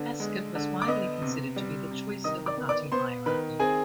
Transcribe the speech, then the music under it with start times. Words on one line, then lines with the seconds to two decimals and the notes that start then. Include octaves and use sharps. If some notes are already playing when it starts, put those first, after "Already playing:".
Haskett was widely considered to be the choice of the party hierarchy.
Already playing: D3 B3
0.20 G#3
0.55 D3
0.82 D6
0.88 B3 D#5 D#6
1.22 C3
1.56 G3
1.91 C3
2.24 D#3 D#5 D#6
2.46 D5 D6
2.58 B3
2.69 D5 D6
2.92 B3 C5 C6
3.26 D#3 B4 B5
3.60 C4 G#4 G#5